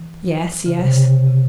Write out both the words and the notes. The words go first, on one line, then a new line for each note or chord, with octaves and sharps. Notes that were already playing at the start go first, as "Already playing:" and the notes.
"Yes, yes."
Already playing: E3
C#3
C3
C#3
C3